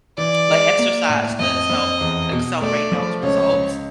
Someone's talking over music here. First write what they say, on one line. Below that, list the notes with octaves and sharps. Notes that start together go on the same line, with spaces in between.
but exercise does help accelerate those results,
E3 D5
G#3
A#3
A2
F2 D#5
F2
E2
B2
A3 D5
F3
C#2 C#5
C#2